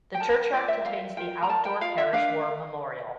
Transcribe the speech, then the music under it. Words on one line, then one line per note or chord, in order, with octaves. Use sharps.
The churchyard contains the outdoor parish war memorial.
G5
A#4 A5
F4 D5
E5
A#4 F5
F4 G5
A#5
A#4 A5
G5
F4 F5
E5
D4 F5